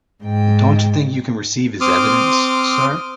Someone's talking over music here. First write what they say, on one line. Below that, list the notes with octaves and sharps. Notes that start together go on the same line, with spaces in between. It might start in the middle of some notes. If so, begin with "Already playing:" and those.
Don't you think you can receive his evidence, sir?
G#2 G5
C4 C6 D6 D#6 F6